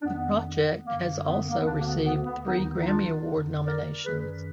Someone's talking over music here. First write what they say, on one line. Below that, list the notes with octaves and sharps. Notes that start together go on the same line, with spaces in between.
The project has also received three Grammy Award nominations.
D4
F2 D#3 B3
F#2 D3 A#3
B3
A#3
B3
D2 D3 A#3 D4
A#3
B3
B3
B3
D#2 D#3 B3 D#4
D#4
D4 F4
F2 D3
A#4 D5
F#2 D#3 G#4 B4